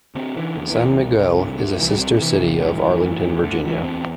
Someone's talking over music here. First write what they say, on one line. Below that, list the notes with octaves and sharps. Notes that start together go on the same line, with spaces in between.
San Miguel is a sister city of Arlington, Virginia.
D3 C4
D3 E3
E2 D3
E3
E2
C2
C2
D3
D2
C2 E3
G3
C3 G3
D3
C3 E3
C2 E3
D2 E3
D2
D2
D2
D2 D3
D2 E3
E2 C4